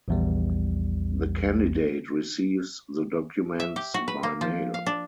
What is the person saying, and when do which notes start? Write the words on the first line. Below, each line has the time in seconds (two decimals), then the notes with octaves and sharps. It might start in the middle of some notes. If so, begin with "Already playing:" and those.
The candidate receives the documents by mail.
0.08 A#1 E2 G3
3.60 E5
3.76 G4
3.94 F#4
4.08 B4
4.23 A#3
4.41 F3
4.74 F5
4.86 D4